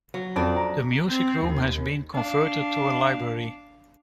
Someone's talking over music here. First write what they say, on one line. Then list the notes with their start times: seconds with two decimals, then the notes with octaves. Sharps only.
The music room has been converted to a library.
0.14 F#3
0.36 F2 D4 D5
0.57 A#5
1.08 C4
1.45 D#2
2.12 D4 F5